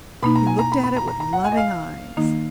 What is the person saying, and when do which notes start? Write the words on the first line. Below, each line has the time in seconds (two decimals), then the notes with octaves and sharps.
He looked at it with loving eyes.
0.23 B2 A#3 D#4 B5
0.35 A#5
0.47 G#5
0.59 A#5
0.72 B5
0.83 B5
0.97 A#5
1.08 A#5
1.20 A#5
1.33 F#5
1.45 G#5
1.52 D#5
1.57 F5
2.17 D#3 A#3 D#4